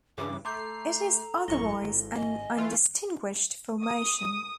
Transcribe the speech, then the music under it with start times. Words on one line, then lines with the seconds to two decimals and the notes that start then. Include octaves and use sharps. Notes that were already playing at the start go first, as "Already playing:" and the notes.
It is otherwise an undistinguished formation.
0.18 G2 C#3 E3 D6
0.45 A3 A4 A#5 C6 D6 G6 C7
1.48 A1 F#2 E4 C#6 A#6 G7
1.82 G#1
2.15 D#5 G#5
2.57 E3 A3 F4
3.83 D#6